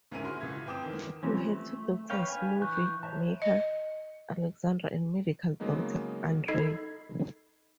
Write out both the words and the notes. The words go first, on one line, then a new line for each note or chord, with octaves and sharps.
They had two daughters, movie-maker Alexandra and medical doctor Andrea.
D2 G#2 C#4 E4 A#4 D#7
F#4 G#4 C6 F6
C#2 A2 E5 G#6
G1 C4 G5 D6 D#6 E7
E2 D#3
E3 F3 G3 C4 C#4
A3
B4 C#5 F5 G5
D4 B4 F5 G#5
E3 C#6 F#6 G6
C5 C#5 E5 A5
D#5
C#3 F#3 G#3 A#3 B3 D#4
D#4 A4 D#5 B5 G#6 C7